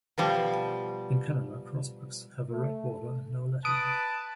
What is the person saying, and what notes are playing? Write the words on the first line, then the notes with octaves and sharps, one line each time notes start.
In Canada, crossbucks have a red border and no lettering.
B2 F3 G3
A3
B4 A5 D#6 D7